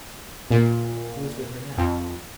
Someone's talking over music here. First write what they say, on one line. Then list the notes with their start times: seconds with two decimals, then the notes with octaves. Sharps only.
"Who is with her now?"
0.51 A#2
1.78 F2